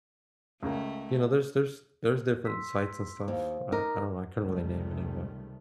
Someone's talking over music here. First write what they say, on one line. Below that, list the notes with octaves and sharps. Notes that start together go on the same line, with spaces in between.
you know, there's there's there's different sites and stuff, I I don't know, I couldn't really name any of that.
C#2 C#3 A3 A#3
C6 E6 B6
D#2 C5 F5
D#4 A#4 D6
C#2 C3 D#3 G3 A3